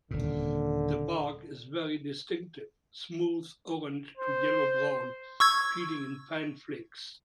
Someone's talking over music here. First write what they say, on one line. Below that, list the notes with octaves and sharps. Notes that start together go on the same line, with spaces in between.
The bark is very distinctive, smooth orange to yellow-brown, peeling in fine flakes.
D#1 A#2 D3
C5
C#6 E6 G#6